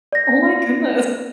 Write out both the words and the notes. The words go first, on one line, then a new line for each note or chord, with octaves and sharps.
Oh my goodness.
D5 A#6